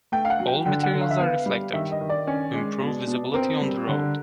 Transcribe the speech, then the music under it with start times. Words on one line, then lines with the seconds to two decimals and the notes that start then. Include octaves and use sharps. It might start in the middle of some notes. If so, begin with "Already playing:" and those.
All materials are reflective, to improve visibility on the road.
0.12 A3 G5
0.25 F5
0.30 F#5
0.40 F#3
0.47 G5
0.66 D3 G5
0.83 F#5
0.93 D3
1.01 F5
1.11 E5
1.19 B3 F5
1.46 G3
1.73 D#3 E5
1.92 D#5
2.01 D#3
2.09 D5
2.27 C#4
2.54 G#3
2.81 B2
3.07 B2
3.34 C4 A#4
3.61 G3
3.87 D3